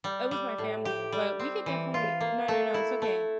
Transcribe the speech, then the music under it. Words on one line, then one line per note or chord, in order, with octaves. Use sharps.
It was my family, but we could definitely No, no, no, it's okay.
G3
G3
A2
G4
G3
C4
E3
F4
A#3
A3
E4
A3